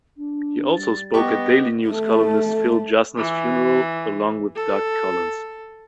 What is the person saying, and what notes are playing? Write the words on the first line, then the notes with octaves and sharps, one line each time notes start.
He also spoke at Daily News columnist Phil Jasner's funeral, along with Doug Collins.
D4
G3 A6
B3 G4 D#5 C#6
A3 A4
E3
A4